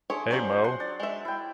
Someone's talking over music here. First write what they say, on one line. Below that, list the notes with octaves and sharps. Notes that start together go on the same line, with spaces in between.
Hey Moe!
E4 G#4 A4 C#5 C6
F3 F#3 C#4 C5 D5 C#6
F#5 C6
D4
G#3 E5
E4 G5